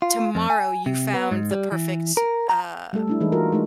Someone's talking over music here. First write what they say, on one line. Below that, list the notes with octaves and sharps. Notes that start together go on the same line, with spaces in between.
tomorrow you found the perfect, uh,
F4
F2
G#5
C3
B3
G#2
G3
E3
A#4
A#5
G3 A3 A4
A3 D4 E4
E3 G#3 D#4 G#4
F4 F#4 A#4
G#3 A3 D#4